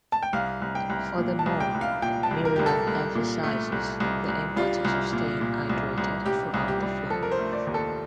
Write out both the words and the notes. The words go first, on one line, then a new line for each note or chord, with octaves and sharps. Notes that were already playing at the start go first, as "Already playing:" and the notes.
Furthermore, Miriam emphasizes the importance of staying hydrated throughout the flight.
A5
G5
C2 F5
C2
G5
C2
A#2
A5
C2
G5
C2
F5
A#2 G5
A5
C2
A#4
C2 G4
A4
C2
A#2
A3
C2
C2
C2
G3 F4
C2
A#2
A#2
C2
C2
C2 G4
C2
G4
G3
F3 A4
A#4
C5
A3
D5
D#2
A4